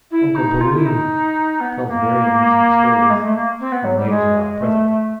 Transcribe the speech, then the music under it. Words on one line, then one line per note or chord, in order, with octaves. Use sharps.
Uncle Balloon!--Tells very amusing stories . . . when ladies are not present . . .
E4
D#4
F4
E4
D#4
B3
B3
A#3
G#3
A3
A#3
C4
B3
F#3
G3
G#3
A3